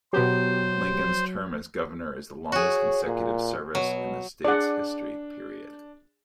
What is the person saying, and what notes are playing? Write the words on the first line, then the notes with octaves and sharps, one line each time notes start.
Lincoln's term as governor is the longest consecutive service in the state's history.
B2 F#3 B3 G4 C5
F#4 G#4 C#5
A#2
B2 F#3
D4 G#4 D5 F#5